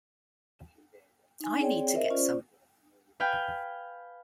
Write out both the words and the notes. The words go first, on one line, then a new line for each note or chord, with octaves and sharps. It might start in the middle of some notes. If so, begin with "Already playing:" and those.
I need to get some.
D#4 G#5
C4 G#4 C#5 D5 G5
A#4 C5 D#5 E5
C#4 F4 C5 D5
B4 F5 G5 G#5